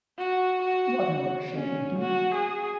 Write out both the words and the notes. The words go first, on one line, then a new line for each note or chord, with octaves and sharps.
Whatever shall we do?
F#4
F#4
C#4
F#4
G#4